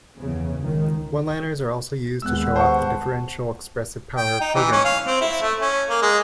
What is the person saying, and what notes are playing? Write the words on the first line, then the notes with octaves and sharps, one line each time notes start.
One-liners are also used to show off the differential expressive power of programming languages.
E2 C#3
C#2 D#3
D#2 G#3 B3 E6 F#6
C5 F#5 A5 C#6
G5
D#4
E3
C#4
F5
C4
E4
A3
C#4
A#3
G#3